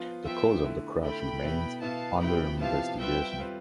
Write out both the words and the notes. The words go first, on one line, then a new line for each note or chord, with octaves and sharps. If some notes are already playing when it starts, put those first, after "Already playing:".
The cause of the crash remains under investigation.
Already playing: F3 B3 F4
F3 B3 F4 E5 G5
D3 A3 E4
D3 A3 E4 G5 B5
B2 B3 E4
B2 B3 E4 F5 A5
C3 F3 B3 E4 G4 G5 B5
C3 F3 B3 E4 G4 F5 A5
G3 C4 F4 B4 E5 G5
G3 C4 F4 B4